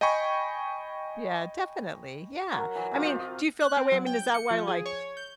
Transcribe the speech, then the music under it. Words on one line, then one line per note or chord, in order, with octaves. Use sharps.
Yeah, definitely, yeah. I mean, do you feel that way? I mean, is that why, like,
D#5 G5 G#5 B5 C#6
F#3 A#4 C#5 F#5
E3 F#3
C3 F#3 F4
F4 G4 D#5
D#5
F#6
C4
F#3
G5
G6
C#7
F3
G#4
C#5
G6